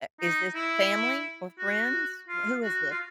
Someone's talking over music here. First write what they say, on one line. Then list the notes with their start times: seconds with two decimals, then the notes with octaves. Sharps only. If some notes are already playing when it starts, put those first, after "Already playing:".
i is this family or friends? W who is this?
0.21 D#4
0.55 E4
1.58 F#4
2.28 F4
2.62 F#4
2.90 F4